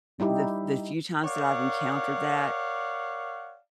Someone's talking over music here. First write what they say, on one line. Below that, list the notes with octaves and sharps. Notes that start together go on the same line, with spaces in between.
the f the few times that I've encountered that
G3 D#4 E4 G4
A#4 C#5 D5 F5 F#5